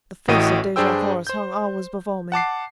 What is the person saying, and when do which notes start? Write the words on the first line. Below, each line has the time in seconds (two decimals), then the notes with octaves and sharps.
The face of Dejah Thoris hung always before me.
0.28 A1 A2 F#4 D#5 G5 D#7
0.76 G2 D4 G#4 C5 G5 E6
1.27 C5 G6
2.32 F#5 A5 D6 C7